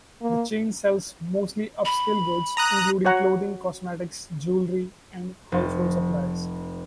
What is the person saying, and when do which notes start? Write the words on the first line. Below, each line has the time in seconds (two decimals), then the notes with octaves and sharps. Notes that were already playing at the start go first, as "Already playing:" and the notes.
The chain sells mostly upscale goods, including clothing, cosmetics, jewelry and household supplies.
0.22 A#3
1.85 B5
2.57 A#5 D#6 F#6
3.05 F#4 C#5 F#5 A#5
5.52 F1